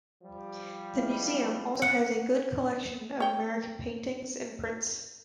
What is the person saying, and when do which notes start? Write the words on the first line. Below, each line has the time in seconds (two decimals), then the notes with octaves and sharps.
The museum also has a good collection of American paintings and prints.
0.23 F3 G3
0.94 G#3 E4 F5
1.82 F#5
3.20 C#5 G5